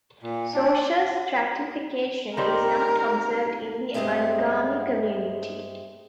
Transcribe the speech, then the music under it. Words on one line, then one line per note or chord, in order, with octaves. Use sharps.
Social stratification is not observed in the Angami community.
A#2
D4
D#3 G3 C4 A#4
G2 G#3 A3 C4 D#5